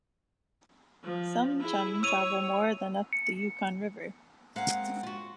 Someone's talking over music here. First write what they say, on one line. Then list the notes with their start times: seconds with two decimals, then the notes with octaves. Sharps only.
Some chum travel more than up the Yukon River.
1.04 F3
1.61 E4 G#4
2.03 C#5 E6 D#7 F7
3.13 C#7
4.56 G#3 A#3 C4 F5 F#5
5.03 F4 F#4